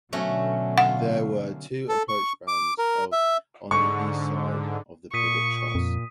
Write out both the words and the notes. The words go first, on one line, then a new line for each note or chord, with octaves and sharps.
There were two approach spans of on the east side of the pivot truss.
B2 D3 F#3 A3 C#4 F#4
F4 F#5
A4
C#6
D6
A#4
E5
G#2 D3 C#6
A#2 C#6 D#6 B6 D#7
F2